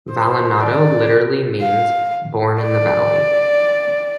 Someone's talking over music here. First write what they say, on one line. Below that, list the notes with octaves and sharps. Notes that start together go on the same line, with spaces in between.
"Vallenato" literally means "born in the valley".
C5
D5
F5
D5